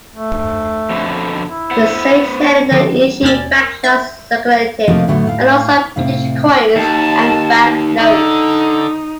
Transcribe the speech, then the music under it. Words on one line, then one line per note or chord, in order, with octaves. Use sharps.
The Saint Helena issued banknotes circulated alongside British coins and banknotes.
A3
F2 B2 D3
E4
B3 C5 F#5
C#5
D3 D#3 F3 B3 G4
D#2 B2 C4 C#4 D5
A#4
E5
C3 F3 A3 A#3 F4 D#5
A2 D3 F#3 A3 B3
A2 F5
A2 C3 F5
D#2 A5
D3 D#4